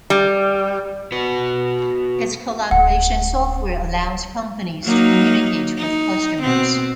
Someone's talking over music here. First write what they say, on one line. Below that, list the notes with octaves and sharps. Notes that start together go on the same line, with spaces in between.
Its collaboration software allows companies to communicate with customers.
G3
F#4 B4
D1 F#5
F#3 A#3 D#4
D#4
B2 B3 C4